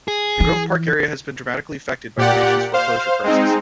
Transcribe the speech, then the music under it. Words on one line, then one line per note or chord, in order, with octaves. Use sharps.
The Grove Park area has been dramatically affected by the nation's foreclosure crisis.
G#4
E3
A#2 G4 D5 F#5
C5 F5
G#3 C4 D#4